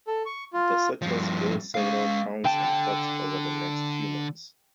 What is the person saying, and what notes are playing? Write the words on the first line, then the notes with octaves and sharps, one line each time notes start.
The settlers built several towns and forts over the next few months.
A4
C#6
F4
G2 F3
G#3 F5
D3 G5 A5